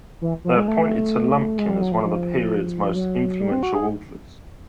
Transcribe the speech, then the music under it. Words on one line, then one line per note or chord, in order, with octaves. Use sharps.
They have pointed to Lumpkin as one of the period's most influential authors.
E3
F3
G#3
A3
G#3
G3
F#3
F3
F3
F#3
G3
C4
F#4
G#4